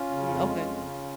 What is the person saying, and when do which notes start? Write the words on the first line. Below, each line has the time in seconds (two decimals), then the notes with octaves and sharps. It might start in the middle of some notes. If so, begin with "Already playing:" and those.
Mm, okay.
Already playing: C#4 F4
0.11 C#3
0.28 F2
0.43 G#3
0.60 F2
0.76 C#3